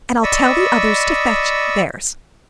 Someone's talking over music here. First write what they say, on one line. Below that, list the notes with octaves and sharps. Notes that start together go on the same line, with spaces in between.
And I'll tell the others to fetch theirs.'
D5 D#5 B5 C#6 D#6 E6